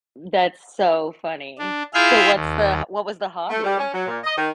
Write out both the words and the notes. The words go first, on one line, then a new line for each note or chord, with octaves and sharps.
That's so funny. So what's the what was the hobby?
D4
E4 F4 G#4 E5 F6 G6
D#2
A3
G3
C#4
F#3
A#2
D#5
D#3